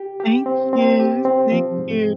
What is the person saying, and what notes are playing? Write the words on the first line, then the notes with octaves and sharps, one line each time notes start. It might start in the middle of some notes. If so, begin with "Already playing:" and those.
Thank you, thank you.
Already playing: G4
G4
C4
C4
G4
C4
F3
G#2